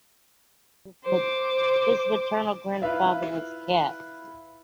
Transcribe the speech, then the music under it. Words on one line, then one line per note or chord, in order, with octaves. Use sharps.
His maternal grandfather was Capt.
C5 D6
E4 F4 B4 E5 F5